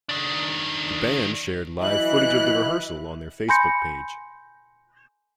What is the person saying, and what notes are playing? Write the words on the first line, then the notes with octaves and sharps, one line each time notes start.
The band shared live footage of the rehearsal on their Facebook page.
D#3 D4
E3 F#3 B3 E4 D#5 F#6
G#5 B5 C6 G6 A#6 C#7